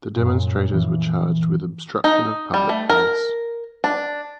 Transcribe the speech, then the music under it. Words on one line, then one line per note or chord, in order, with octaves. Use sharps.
The demonstrators were charged with obstruction of public place.
F#2 A#2
E3
D#4
G3
A3
A#4
D4